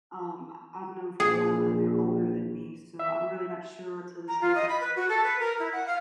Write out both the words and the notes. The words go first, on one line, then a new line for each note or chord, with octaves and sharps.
um, I I've known for a while, and they're older than me so I'm really not sure till this day what
A#1 G#4
E5
A#5
F4
D#5
B5
B4
F#4
A4
B4
A#4
E4
F#5
F5